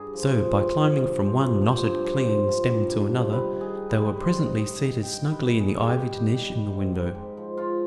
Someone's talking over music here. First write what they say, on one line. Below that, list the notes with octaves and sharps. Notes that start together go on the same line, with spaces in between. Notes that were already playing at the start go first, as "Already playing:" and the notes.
So, by climbing from one knotted, clinging stem to another, they were presently seated snugly in the ivied niche in the window.
Already playing: G2 G#4
F3
F3
F3
F3
G2
F3
G2
F3
G2
F3
F3
F3
G2
G2
F3
D#3 B4
D#3
G#4
D#3
B4
G3
G2 C5
G2
D#5
G2
D#3
D#3 G5
G2
B4
G2
G#4
G2
G#4
D#3 G4
G3
D#3
G3
G#2
G#2
G#2
F3
F3 F4